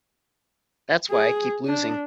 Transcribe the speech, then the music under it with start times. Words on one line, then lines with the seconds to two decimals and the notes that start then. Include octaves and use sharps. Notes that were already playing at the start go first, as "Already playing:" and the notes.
That's why I keep losing.
1.10 G#4
1.66 D4